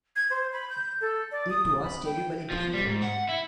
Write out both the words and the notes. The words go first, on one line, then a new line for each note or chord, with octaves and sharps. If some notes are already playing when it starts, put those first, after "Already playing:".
It was terribly difficult.
G#6
C5
B5
G6
A4
D5
D#6
B5
G5
F3
G3
G#2
F#5
E4